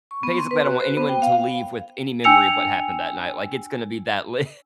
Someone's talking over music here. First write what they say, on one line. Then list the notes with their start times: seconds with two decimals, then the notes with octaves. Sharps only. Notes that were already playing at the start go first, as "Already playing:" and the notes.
basically, I don't want anyone to leave with any memory of what happened that night, like, it's gonna be that lit.
0.11 C#6
0.23 B3
0.37 C6
0.51 B4
0.65 F#4
0.80 C5
0.97 B3
1.09 G5
1.22 F5
2.24 D4 G5 G#5 E6 C#7 F7